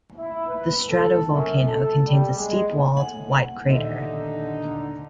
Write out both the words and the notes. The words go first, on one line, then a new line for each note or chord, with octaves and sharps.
The stratovolcano contains a steep-walled, wide crater.
E4
B4
A4
F#2
A4
G3
G#3
A2 F#5 G#5
D#1 D3 D#4 D#5 E5